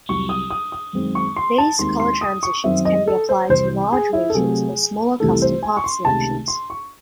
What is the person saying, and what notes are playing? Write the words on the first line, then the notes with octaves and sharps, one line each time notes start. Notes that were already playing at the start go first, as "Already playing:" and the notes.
These color transitions can be applied to large regions or smaller custom path selections.
C2 C3 F#3 C#6
D#6
D#6
D#6
F#2 D#3 G#3 C4
C#6
C6
A5
D#2 D#3 G#3 C4 C6
C6
D#6
C#6
F#2 D#3 F#3 C4 E5
D#5
A4
C5
C2 C3 E3 C5
G#4
E4
A4
C3 F#3 A3 C4 G#4
C2 C3 E3 A3 A4
C5
G#5
C#6
C6
C#2 C3 D#3 A3 A5
C6
C#6